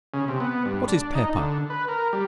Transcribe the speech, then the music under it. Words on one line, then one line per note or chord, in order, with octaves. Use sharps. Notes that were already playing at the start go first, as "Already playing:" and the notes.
What is Pepper?
C#3
C3
B3
G2
D4
D#4
D3
B4
A#4
G3